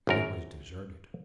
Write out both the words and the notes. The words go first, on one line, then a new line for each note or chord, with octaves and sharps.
And it was deserted.
G#1 F#2 A#4